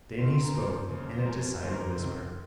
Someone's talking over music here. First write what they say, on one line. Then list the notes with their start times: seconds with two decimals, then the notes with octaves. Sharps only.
Then he spoke in a decided whisper.
0.18 C#2 C3 D#3 C6
0.30 C6
0.42 A#5
0.48 A#4
0.54 D#2 C#3 F3 C5
0.89 D#2 C#3 F3
1.14 C5
1.25 F#2 F3 A#4
1.61 D#2 D#3 C5
1.72 A#4
1.85 C5
1.96 C#2 C3 D#3